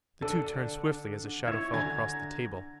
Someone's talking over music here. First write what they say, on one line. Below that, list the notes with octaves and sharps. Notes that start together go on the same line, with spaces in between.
The two turned swiftly as a shadow fell across the table.
D3 D4 A4
E4 C#5
D3 G#5 A#5 G#6